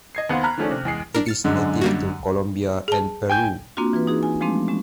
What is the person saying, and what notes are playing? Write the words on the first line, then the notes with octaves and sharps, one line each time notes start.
It is native to Colombia and Peru.
D#5 G#6 C7
D#2 B3 C4 F5 F#5 C6
A#5 B5 F6 F#6
D#3 F3 A3 C#4 D4
C3
E2 G#3 C7
D4 A#4
F6 A6 C#7
F#2 D3 G#3
G3 A#3 F#4
G#4 A5
G5 G#5 G6
A#3 C4 D4 F4 F#4
E3 F4 B4
D#4 F#4 G#4
G#5
F3 G#3 A3 C4 D4
G#3 C#4